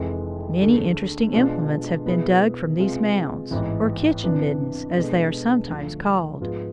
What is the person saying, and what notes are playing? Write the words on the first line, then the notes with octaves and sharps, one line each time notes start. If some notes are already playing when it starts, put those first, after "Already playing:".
Many interesting implements have been dug from these mounds, or kitchen middens as they are sometimes called.
Already playing: F1 F2 E3 G#3
D2 D3 A3 D4 G#4
B2 G#3 B3 D4 F4
B2 B3 E4 G#4
C3 G#3 B3 F4
A1 G#2 E3 B3
C3 E3 B3 D4
B2 G#3 B3 D4 A4
D2 D3 F3 A3
G#2 F3 B3 F4 G#4